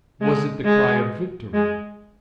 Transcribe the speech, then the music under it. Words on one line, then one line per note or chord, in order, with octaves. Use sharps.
Was it the cry of victory?
G#3
G#3
G#3